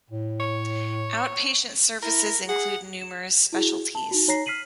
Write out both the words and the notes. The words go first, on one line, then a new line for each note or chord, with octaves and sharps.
Outpatient services include numerous specialities.
A2
C#5
E4 A#4
G#4 F#5
E7
E4 F#4 G#4
A5
D#4 F#4
D#4 C#5 A#5 A#6 C7
F6 B6 C7 D#7 F#7